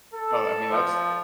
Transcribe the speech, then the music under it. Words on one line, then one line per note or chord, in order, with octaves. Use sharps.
Oh, I mean, that's
A4
F3